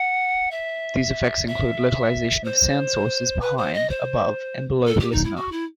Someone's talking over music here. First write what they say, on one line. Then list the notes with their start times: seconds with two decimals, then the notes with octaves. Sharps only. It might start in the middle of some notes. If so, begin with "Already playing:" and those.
These effects include localization of sound sources behind, above and below the listener.
Already playing: F#5
0.51 E5
1.47 E5
2.44 C5
3.41 B4
3.57 C5
3.74 D#5
3.89 C5
4.87 A4
5.00 G4
5.12 D#4
5.24 E4
5.36 F#4
5.52 E4